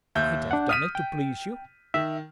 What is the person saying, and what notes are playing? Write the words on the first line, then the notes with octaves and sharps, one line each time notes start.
"I'd have done it to please you."
D#2 E5 G6
D4 F#5
D#6 F6 B6 D#7
G5
D#3 E5